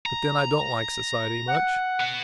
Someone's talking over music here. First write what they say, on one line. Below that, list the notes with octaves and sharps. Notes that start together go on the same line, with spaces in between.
But then, I don't like society--much.
A#5
F#5
B3 F#4